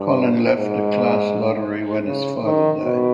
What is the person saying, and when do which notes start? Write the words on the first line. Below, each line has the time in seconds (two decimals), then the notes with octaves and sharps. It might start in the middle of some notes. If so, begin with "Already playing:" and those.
Collin left the Class Lottery when his father died.
Already playing: G2
0.56 G#2
2.07 C#3
2.44 D#3
2.83 B2